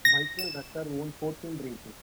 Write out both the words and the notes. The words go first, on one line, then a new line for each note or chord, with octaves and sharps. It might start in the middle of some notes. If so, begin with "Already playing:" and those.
Michael Rutter won fourteen races.
A#6
E7